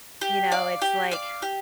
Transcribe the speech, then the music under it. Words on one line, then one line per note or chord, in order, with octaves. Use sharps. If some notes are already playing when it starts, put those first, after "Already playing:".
you know, it's like
G4
D5 F5
G4
D5 F5
G4